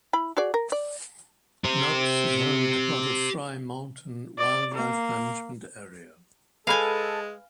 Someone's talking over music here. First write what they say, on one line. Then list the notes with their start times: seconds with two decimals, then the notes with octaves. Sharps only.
Knox is home to part of Frye Mountain Wildlife Management Area.
0.13 E4 B5
0.37 F#4 G#4 D5
0.54 A#4
0.72 D5
1.65 G4 C5
4.38 D5
4.74 A#3
6.67 G#3 A4 B4 F5 G#5 B5